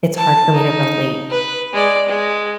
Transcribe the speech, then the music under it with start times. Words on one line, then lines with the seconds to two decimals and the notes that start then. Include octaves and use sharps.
It's hard for me to relate.
0.17 A5
0.54 D#4
1.30 B4
1.73 G#3 D5
2.08 G#3